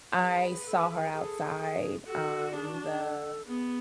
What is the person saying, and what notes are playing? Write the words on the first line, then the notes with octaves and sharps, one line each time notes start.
I saw her outside, um, the
G#4 B4
A4
G#4
A4
G#4
G#4 A4
F#4 A4
D4 G#4
F#4
G#4
A4
B3 G#4